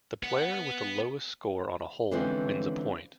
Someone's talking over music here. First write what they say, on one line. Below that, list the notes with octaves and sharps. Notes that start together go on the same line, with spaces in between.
The player with the lowest score on a hole wins a point.
B3 F#5
D3 E3 F3 G#3 C4 C#4